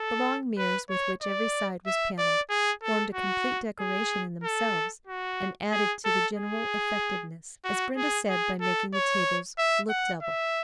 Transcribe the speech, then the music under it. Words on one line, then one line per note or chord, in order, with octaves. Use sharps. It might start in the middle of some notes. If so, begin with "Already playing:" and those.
The long mirrors with which every side was paneled formed a complete decoration in themselves, and added to the general effectiveness, as Brenda said by making the tables "look double."
Already playing: A4
B4
C#5
D5
E5
D5
G#4
A4
F#4
G#4
A4
F#4
G#4
A4
G#4
F#4
G#4
G#4
A4
C#5
E5
F#5
E5